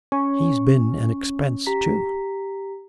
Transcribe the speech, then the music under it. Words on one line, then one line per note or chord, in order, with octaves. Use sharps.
He's been an expense too.'
C#4 C#6
G4 A#5 B6